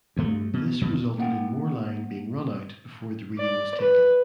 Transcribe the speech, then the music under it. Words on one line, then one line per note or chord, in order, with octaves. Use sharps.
This resulted in more line being run out before the reading was taken.
D2 G2 A3
B2
F2 B2
A#3 F#5 G5
D5
B4